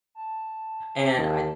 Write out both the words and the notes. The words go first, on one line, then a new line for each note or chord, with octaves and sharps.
and I
A5
D#2